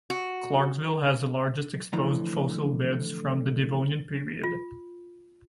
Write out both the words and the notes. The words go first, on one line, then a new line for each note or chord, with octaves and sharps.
Clarksville has the largest exposed fossil beds from the Devonian period.
F#4
A2 D3 E3 F3 A#5
F4